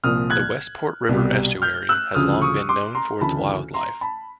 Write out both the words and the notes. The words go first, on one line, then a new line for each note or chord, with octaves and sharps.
The Westport River estuary has long been known for its wildlife.
C2 A#2 F3 D#6 F6
F#6 G#6
C2 B2 G3
F6 G6
E6 F#6
D2 C#3 F3 D#6 F6
C#6 D#6
C6 D6
A#5 C6
D2 C#3 E3 A5 B5
A#5 C6
A5 B5